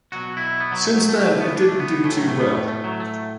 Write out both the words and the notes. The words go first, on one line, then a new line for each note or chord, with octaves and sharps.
Since then it didn't do too well.
B2 F#3 F#4
E4
B3
F#3
A3
F#3
A3
A3
B3
D4
A3
B3
A2 E3 A3
F#3
A3
B3
A3
A3
F#3
A3